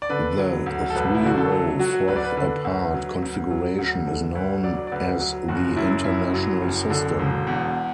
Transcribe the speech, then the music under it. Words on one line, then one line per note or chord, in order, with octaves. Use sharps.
The three-row fourth-apart configuration is known as the international system.
D5
D3 B4
F#3
D2
A4
E1 B4
E4
D3 F#4
A4
F#3
F#3 F#4
D2 B4
D5
B4
D3 B4
D2
F#3
D2
F#3
D2
D3
D2 B4
F#3 D5
D5
D2 B4
F#3
F#1 F#4
F#2 E4
F#1 E4
F#3
F#1
D3
E1
E2